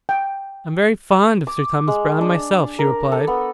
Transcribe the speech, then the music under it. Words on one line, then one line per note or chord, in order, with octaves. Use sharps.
"I'm very fond of Sir Thomas Browne, myself," she replied.
G5
D6
G#3
D4
A#4
A4
B3